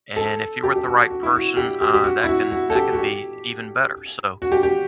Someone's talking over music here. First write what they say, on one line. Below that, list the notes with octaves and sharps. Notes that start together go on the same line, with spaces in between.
and if you're with the right person, uh, that can that can be even better, so,
A4
G4
G4
F#4
F#4
E4
F#4
G4
G4
G4
F#4
E4
F#4
F#4
A4
G4
F#4
G4
F#4
G4
G4